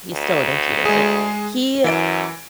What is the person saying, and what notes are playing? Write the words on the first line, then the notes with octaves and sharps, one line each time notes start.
He's still an engineer, but he
D2
G#3 G#4
F#2 E3 D7